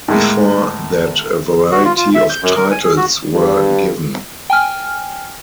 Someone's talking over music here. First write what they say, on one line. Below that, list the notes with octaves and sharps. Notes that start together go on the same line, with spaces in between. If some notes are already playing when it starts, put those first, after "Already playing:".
Before that, a variety of titles were given.
A2 G#3 A#3
F#4
F4
F4
E5
G6
F#2
A#4
G#5
G#4
F#4
G2
G5 G#5 F6